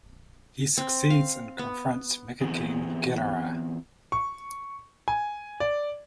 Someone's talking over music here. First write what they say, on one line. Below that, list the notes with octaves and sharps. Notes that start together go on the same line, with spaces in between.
He succeeds, and confronts Mecha-King Ghidorah.
C4
F5
B3
E3 B3 C4 G4 G#4
C#6
G#5
D5